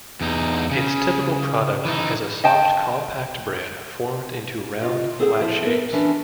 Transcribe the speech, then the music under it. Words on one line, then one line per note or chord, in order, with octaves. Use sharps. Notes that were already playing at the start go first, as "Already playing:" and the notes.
Its typical product is a soft compact bread formed into round, flat shapes.
E2 D#4
C#3
E3 D#4
D#5 G5 A5
F4 D#5
C4 G#4 A4 C5 F#5
F3 E4 C5
G3 B3 A#4
E3 C#4 D4